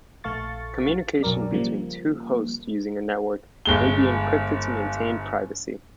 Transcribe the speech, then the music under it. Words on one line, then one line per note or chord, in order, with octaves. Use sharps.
Communication between two hosts using a network may be encrypted to maintain privacy.
A#1 A3 A4 F5 C#6 A6
B1 F#2 F#3 A#4 D5
C#3 F3 G3 A#3
G1 G#3 G7